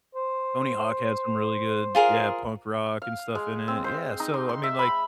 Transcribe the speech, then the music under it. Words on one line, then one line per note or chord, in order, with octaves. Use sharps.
Tony Hawk had some really good, yeah, punk rock and stuff in it. Yeah, so I mean, like
C5
F4 G#4 A#4
F5
G#3
C4
C5
D#4
C6
C6
E5
B5